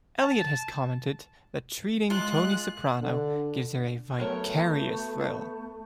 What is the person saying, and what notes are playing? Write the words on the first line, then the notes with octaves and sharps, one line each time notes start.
Elliot has commented that treating Tony Soprano gives her a vicarious thrill.
A5
G#3 F4 F#6
D3
F#3 A3 B3 A#4 C#5